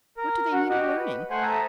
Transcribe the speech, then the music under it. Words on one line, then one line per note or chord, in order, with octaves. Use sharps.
What do they need of learning?
A#4
F#4
F#4 G4 D#5
B4
A3 C5 F#5 G#5
A4 E5 A#5 D#6